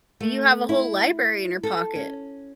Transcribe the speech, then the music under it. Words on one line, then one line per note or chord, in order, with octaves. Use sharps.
Do you have a whole library in your pocket?
A3
E4
A4
C#4